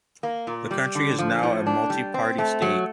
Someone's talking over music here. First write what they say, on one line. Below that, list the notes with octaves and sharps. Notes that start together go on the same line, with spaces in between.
The country is now a multiparty state.
A#3
A#2
G3
D3
F3
A2
D4
G3
C4
A3
F#3